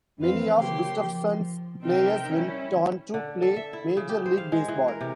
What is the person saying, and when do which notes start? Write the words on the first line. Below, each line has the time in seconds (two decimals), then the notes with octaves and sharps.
Many of Gustafson's players went on to play Major League Baseball.
0.19 F2 E3 C4 B4 F5
0.55 C#3 F#3 A#3 G4 G5 C6
1.03 F3
1.82 C3 C4 D#4 A#4 E5 G5
2.30 G3 C#4 E4
3.14 D3
3.42 A4
3.56 E5
3.73 E4
3.97 C#3
4.09 G4
4.26 C5
4.38 F5
4.52 G#3
4.68 E3
4.88 A#4
5.01 C3